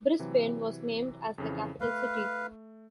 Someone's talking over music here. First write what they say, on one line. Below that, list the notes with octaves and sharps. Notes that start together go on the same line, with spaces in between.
Brisbane was named as the capital city.
C3 E3 F#3
F2 C#3 E3
A3 B4 F5